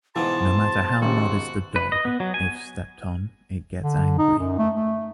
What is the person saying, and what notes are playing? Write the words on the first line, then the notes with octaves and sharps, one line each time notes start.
No matter how modest the dog, if stepped on, it gets angry.
G#2 B2 E3 F3 A5 C6
G#1 C#3 F#4 G4
B4
D#5
B3
F#3
G#5
D3
D#4
F#2
A3
A3